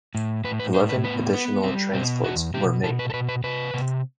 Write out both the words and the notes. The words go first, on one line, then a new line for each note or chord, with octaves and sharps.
Eleven additional transports were made.
A2
A2 B4
B4
A2 C5
B4
B3 B4
B3 B4
G3 C4
B2 C4
E2 F#4
B2 G4
B2 A4
B4
A4
B2 B4
B4
C3 B4
C3